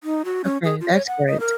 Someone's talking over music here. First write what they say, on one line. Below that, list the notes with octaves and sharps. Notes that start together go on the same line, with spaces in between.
Okay, that's great.
D#4
F#4
C#4
G#4
F4
C#5
F#5
D#5
A#4